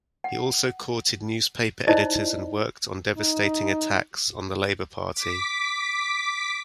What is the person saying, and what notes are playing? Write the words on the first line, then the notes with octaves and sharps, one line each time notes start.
He also courted newspaper editors and worked on devastating attacks on the Labour Party.
F#5
D#4 E4 C5 D5 D#5
D#4
D6 B6